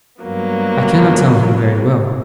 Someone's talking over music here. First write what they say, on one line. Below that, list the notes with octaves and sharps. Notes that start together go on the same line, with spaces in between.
I cannot tell him very well.
G2 F#3 A#3 B3